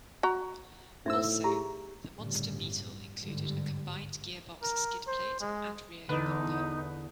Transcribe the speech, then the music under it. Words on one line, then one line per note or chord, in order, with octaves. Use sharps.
Also, the Monster Beetle included a combined gearbox skid plate and rear bumper.
F#4 A#5
F#2 A2 D#4 C5 E5 E6
G4 G#4 A#5
G1 A2 C#3 G3
G1 G#2 D3 G3
A#4
C5
G#3
E2 D3 D#4 B4